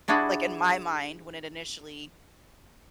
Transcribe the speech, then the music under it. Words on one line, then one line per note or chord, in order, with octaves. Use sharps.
like, in my mind, when it initially
G3 D4 E4 F#4 G#4